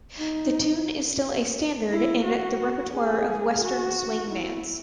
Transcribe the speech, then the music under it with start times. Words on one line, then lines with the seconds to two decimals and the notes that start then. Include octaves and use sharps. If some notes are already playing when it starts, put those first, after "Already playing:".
The tune is still a standard in the repertoire of Western swing bands.
0.18 D#4
1.90 E4
2.24 F#4
2.93 G#4
3.62 F#4
4.31 E4